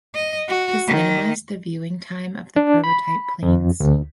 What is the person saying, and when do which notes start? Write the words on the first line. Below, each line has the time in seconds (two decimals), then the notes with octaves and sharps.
This minimized the viewing time of the prototype planes.
0.14 D#5
0.48 F#4
0.87 D#3
2.56 D4
2.84 B5
3.43 F2
3.80 D2